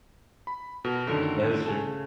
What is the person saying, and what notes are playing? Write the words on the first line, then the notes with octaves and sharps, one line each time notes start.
That is true.
B5
B2 A#4
F#2 D3 D#3 A3 A#4
C#3 G#5 A5